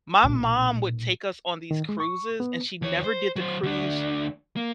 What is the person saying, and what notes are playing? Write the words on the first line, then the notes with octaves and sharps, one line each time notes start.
my mom would take us on these cruises and she never did the cruise,
B1 A#2
D#3
G#3
C#6
B3
D#2 C#5
C5
F#3 C5
D2 D4
A#3